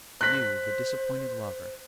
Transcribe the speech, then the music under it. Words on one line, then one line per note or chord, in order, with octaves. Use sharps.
'You, the disappointed lover?
C5 F#6 B6